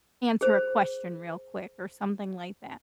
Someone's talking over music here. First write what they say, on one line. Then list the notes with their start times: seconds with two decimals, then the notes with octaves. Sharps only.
answer a question real quick or something like that.
0.41 G#4 C5